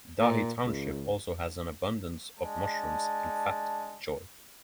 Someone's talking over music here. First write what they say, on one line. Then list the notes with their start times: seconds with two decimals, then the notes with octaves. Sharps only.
Dahe Township also has an abundance of mushrooms and fat choy.
0.20 A#2
0.65 C#2
2.39 G#3 D4 A5